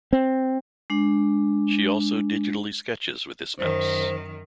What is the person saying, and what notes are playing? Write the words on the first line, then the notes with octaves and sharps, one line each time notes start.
She also digitally sketches with this mouse.
C4
G#3 D4
F#2 D#3 C5